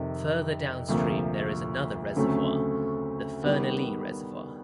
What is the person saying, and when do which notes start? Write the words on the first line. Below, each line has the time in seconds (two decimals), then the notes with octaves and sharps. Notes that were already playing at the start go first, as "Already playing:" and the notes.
Further downstream there is another reservoir, the Fernilee reservoir.
Already playing: F2 C3 D#3
0.89 D2 C3 F3 A#3
2.16 D2 C#3 F#3 A3 C4
3.44 D#3 G3 B3